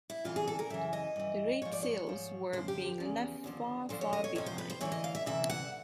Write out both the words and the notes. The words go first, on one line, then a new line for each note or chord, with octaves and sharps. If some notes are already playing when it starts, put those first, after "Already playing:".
The red sails were being left far, far behind.
E4
D2 C3 E3 F4
G#4
A4
A#4
F#2 C#3 E3 E5
D#5
G2 E3
G#2 F3 C#5
D5
C#5
G#2 F3
F#2 D3 F3 C5
G4
E2 C#3 F3
D#2 D3 F3
D2 D3 F3 C5
C#5
D#5
C#5
F2 C3 F3 C#5
C5
B4
C5
D2 C#3 E3 C#5
D#5
F5
E5
D2 C3 E3 E5
F#5